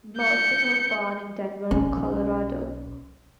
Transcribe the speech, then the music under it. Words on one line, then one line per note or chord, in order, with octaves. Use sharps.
Modesitt was born in Denver, Colorado.
G6 C#7
B1 C#4